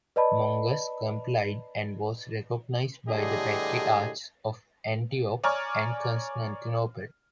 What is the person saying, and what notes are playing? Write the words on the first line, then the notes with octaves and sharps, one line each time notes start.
Mongus complied and was recognized by the Patriarchs of Antioch and Constantinople.
B4 D5 D#5 A5 B5
A2 D3 G3 G4 G#4 D#5
C#5 D5 G#5 A#5 C#6 F6